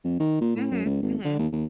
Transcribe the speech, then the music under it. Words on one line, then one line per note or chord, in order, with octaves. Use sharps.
Mhm, mhm.
F2
D#3
A#2
A2
F#2
C#2
G#1
D3
D#2
D#2